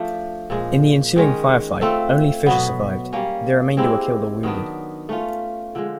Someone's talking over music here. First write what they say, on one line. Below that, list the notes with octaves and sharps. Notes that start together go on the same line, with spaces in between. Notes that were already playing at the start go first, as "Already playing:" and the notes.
In the ensuing firefight, only Fisher survived; the remainder were killed or wounded.
Already playing: F3 A3 D4
A#2 F3 G#3
D#3 G#3 C#4
A3 C4 F4 A4
B2 F#3 B3
G3 A#3 C#4
G#3 C4 E4 G4
D#3 F#3 B3 D4
A3 C#4 F4
D3 F3 G#3